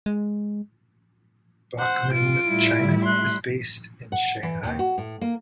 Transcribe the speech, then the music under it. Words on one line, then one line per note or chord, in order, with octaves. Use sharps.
Bachmann China is based in Shanghai.
G#3
C5 F#5
F4 D7
A2 G3 E4
C6 F#6
F#5
E3
D#2
F#4
A2
A#3